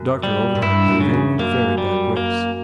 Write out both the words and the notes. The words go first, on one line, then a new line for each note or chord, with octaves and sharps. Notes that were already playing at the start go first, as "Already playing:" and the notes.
Dr. Oldacre gave in with a very bad grace.
Already playing: F#2
G3
A#2
G2 E4
F#2
C#3
E2
F#2 A#3
G3
A#3